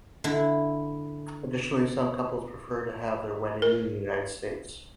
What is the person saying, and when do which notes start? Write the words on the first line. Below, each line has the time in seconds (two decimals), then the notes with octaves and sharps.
Additionally, some couples prefer to have their wedding in the United States.
0.24 D3 E4
3.62 A#4